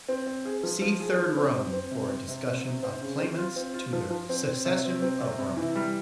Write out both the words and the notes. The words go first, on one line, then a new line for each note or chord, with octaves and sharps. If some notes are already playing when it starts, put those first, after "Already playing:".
See Third Rome for a discussion of claimants to the succession of Rome.
C4
C4
G#4
F3
F3
G#4
F3
C4
C4
C4
C3
C4
C3
C4
C3
C4
C#3
C4
F4
C4
F4
F3
F3
C4
C4
C3
C4
C4
C3
C3
E3
G3